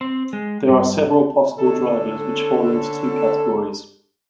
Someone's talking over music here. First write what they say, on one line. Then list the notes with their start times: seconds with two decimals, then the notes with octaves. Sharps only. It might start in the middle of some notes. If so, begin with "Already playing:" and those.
There are several possible drivers, which fall into two categories.
0.01 C4
0.33 G#3
0.68 G2
1.58 D3 C#4 A4